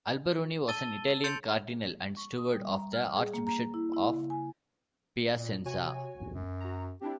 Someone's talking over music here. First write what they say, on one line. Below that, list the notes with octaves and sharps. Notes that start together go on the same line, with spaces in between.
Alberoni was an Italian cardinal and steward of the archbishop of Piacenza.
A5 E6 A6 D#7 G7
C6 G6 A6 C#7 D7 F7
C#6
D#6
G3
A#5
F6
G#4
A#3
A#5
E4
E4
C#3
G#5
A#2
C3 F#4 C#5 G#5
F#2
F#4 A#5
C4 D4 E4 G4